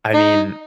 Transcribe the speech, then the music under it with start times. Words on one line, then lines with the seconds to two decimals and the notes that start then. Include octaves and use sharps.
I mean,
0.14 D#4